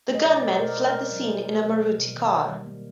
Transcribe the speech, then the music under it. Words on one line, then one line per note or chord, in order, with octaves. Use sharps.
The gunmen fled the scene in a Maruti car.
G#3
D#5
B2 D5
G#3 C5
B2 A#4
A#2 A#4
A#2
F#3
A#3
G#3
B2
G#3
B2
D#3
D#3
G3
A#3